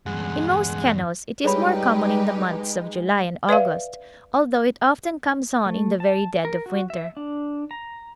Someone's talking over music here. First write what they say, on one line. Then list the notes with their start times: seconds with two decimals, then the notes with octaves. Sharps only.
In most kennels it is more common in the months of July and August, although it often comes on in the very dead of winter.
0.06 E2 G2 G#3 F#5
1.44 G3 G#3 D#4 G4 G#4 B4 C#5 B5
3.49 B4 D5 E5 F5
5.66 A3
6.00 A5
6.45 A#4
6.66 F#4
6.90 E5
7.17 D4
7.71 A#5